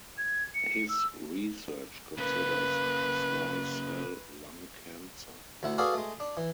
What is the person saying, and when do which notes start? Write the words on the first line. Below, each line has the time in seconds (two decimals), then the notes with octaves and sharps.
His research considers small cell lung cancer.
0.18 G#6
0.55 C#7
0.89 E6
2.18 C#3 A#3 B4
5.63 D2 E4 F#5
5.78 F#4 G#4 A4 B4 D5 F5
5.94 G#3 A3
6.20 D4
6.37 E3